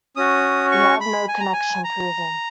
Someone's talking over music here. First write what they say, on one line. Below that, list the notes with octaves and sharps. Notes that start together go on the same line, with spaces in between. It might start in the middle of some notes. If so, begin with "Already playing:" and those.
We have no connection proven.
C#4 F#4 D#6
C#6
B5
G#5
A#5
G#5
A#5